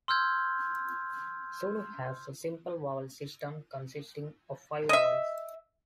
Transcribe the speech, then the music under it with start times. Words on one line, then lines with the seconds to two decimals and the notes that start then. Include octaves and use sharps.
Zulu has a simple vowel system consisting of five vowels.
0.08 C6 E6 F6 G6 G#6
4.89 D#5 E5